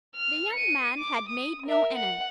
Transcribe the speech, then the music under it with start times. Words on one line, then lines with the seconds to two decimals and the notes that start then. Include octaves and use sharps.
The young man had made no enemy.
0.16 F6
0.53 C#7 D#7
0.98 D6
1.29 D#6
1.67 A#4 E5
1.95 F#5